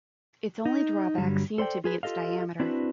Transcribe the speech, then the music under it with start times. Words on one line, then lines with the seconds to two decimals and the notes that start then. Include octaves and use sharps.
Its only drawback seemed to be its diameter.
0.65 D#4
1.18 G2 D3 F#3 G3
1.58 A4 C5 D5 G5
1.84 F4 G#4 B4
2.03 F4 G4 A4 D#5 F5
2.60 C4 D4 E4 F#4 A4 B4